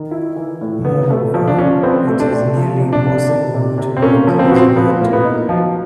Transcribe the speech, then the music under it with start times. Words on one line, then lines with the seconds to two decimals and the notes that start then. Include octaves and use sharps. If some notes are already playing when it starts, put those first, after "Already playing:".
Moreover, it is nearly impossible to work using hand tools.
Already playing: D#3
0.11 E4
0.37 E3
0.61 A2
0.85 B3
1.10 A3
1.34 F3
1.48 D4
1.58 F3 C#4
1.83 B3 C4
2.07 A3
2.20 D4
2.32 A3
2.56 F3
2.80 C3
2.93 D4
3.05 C3
3.29 D#3
3.55 C3
3.78 C3
3.97 C4
4.02 A#3 C#4
4.27 F3
4.39 C4
4.48 B3
4.52 C4 F#4
4.76 F3 B3
5.01 A2 A#3
5.13 B3
5.25 D#4
5.49 F3 F#3